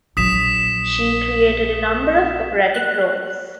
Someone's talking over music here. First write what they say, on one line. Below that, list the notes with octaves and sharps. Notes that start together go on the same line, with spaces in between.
She created a number of operatic roles.
A#1 F#3 D#6 B6 E7
F#6